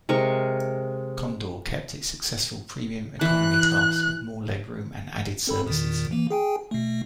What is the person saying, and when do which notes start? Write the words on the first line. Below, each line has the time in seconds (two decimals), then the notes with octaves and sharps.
Condor kept its successful Premium Economy Class with more legroom and added services.
0.09 C3 G#3 A#4 C#6
3.21 E3 F#6
5.47 C4 A4 B5
5.67 E2 A#2 D#3
6.11 E3 A#3
6.31 G#4 G5 G#5
6.71 B2 A3